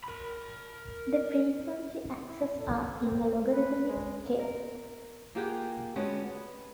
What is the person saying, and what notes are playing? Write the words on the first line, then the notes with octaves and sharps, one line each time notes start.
The frequency axes are in a logarithmic scale.
A#4 B5
E4
A4
C4
B4
G#3
A#4
A#3 F4 G4 G#4 F#5 G5
D3 G3 G#3 B3 C#4 F#4
B3